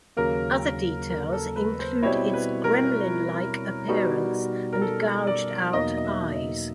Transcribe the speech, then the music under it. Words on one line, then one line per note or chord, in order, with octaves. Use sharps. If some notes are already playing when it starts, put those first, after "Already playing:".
Other details include its gremlin-like appearance and gouged out eyes.
D#2 C#3 F#3 A#3 A#4
A#4
A4
B4
C5
B2 G3 C4 E4 C#5
B4
A#4
B2 G3 B3 D#4 F#4
A#4
A4
D5
E2 B2 F#3 A#3 D#4 D#5
D#5
E5
D#5